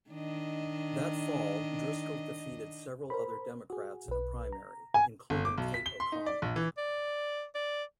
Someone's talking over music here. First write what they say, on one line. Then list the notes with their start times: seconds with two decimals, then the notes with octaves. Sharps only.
That fall, Driscoll defeated several other Democrats in a primary, including Kate O'Connell.
0.10 D#3 D4 D#5
3.10 A#4 C5 B5
3.70 F#4 G#4
4.08 B1 B4
4.52 A#5
4.94 G#5
5.30 G1
5.45 D6
5.58 B1
5.74 B6
5.86 G7
6.00 C6
6.12 D#4
6.26 D5
6.42 A#1
6.56 E3
6.78 D5
7.55 D5